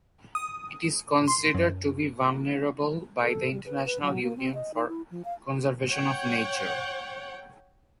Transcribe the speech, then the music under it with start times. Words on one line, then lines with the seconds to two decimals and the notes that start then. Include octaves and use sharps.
It is considered to be vulnerable by the International Union for Conservation of Nature.
0.35 D#6
1.27 C6
1.55 F#2
3.22 A4
3.52 G3
3.65 B4
3.85 B4
4.02 F#3
4.23 A#3
4.37 C4
4.54 D#5
4.74 D#4
4.88 E4
5.11 F3
5.25 F5
5.88 C#5 F#5 G5